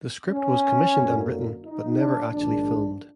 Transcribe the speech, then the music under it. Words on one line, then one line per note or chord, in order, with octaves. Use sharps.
The script was commissioned and written, but never actually filmed.
C#4
F#2 D3 F#3 A#3
D#4
D4
A#1 G#2 D#3 D4